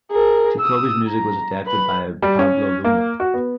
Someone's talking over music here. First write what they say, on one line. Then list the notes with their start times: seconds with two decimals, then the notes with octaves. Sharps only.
Jacobi's music was adapted by Pablo Luna.
0.11 G#4 A#4
0.60 D#6 E6
1.08 A#5
1.66 B4 B5
2.22 G3
2.39 C#4
2.84 A#3
3.20 F#4
3.34 B3